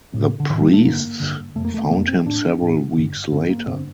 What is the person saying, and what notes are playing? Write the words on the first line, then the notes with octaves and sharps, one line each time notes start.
The priests found him several weeks later.
A2
D3
A2 D#3
G3
A3
G2 D3 A#3
G2 D3
F2 C3 A3
A#3
A3
F2 C3 A#3
C4
A2 D4
A2
G2 D3
G2 D3 C4
A#3
G2 D3 C4